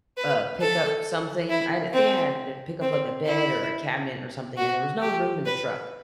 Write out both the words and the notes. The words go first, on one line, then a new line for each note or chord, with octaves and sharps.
uh, pick up something I had to I think I had to pick up, like, a bed or a cabinet or something, and there was no room in the truck,
B4
A4
E4
C4
C4
E4
F#4
G4
B4